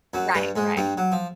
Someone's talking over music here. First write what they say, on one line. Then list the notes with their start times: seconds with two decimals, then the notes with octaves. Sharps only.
Right, right.
0.14 F#2 F#3
0.34 G2 G3
0.56 G#2 G#3
0.77 G2 G3
0.98 F#3
1.12 F3